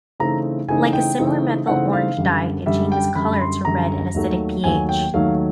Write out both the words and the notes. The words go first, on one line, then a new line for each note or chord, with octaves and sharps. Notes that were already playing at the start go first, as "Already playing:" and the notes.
Like a similar methyl orange dye, it changes color to red in acidic pH.
C#3 E3 A3 C4 D#4 A#5
C#3 E3 A3 C4 D#4 G#5
G5
C#3 E3 A3 C4 D#4
C#3 E3 A3 C4 D#4 F#5
F5
F#2 D3 G3
F#2 D3 G3 E5
G5
F#2 D3 G3 B5
B5
C6
F#2 D3 G3 A#5
D#2 D#3 F#3 A3
D#2 D#3 F#3 A3 G#5
G5
D#2 D#3 F#3 A3 F5